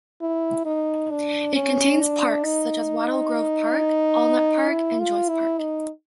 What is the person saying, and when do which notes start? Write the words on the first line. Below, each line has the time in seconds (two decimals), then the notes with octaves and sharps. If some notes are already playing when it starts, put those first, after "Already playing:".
It contains parks such as Wattle Grove Park, Allnutt Park and Joyce Park.
0.21 E4
0.65 D#4
1.11 D4
1.55 C#4
2.01 D4
2.45 D#4
4.70 E4
4.99 F4
5.29 E4
5.59 D#4